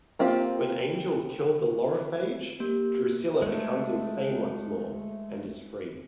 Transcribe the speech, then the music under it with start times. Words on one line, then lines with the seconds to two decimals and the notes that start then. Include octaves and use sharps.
When Angel killed the Lorophage, Drusilla becomes insane once more, and is free.
0.19 A#3 C4 F4 G4
2.60 A#3 G4
3.42 G#3 A3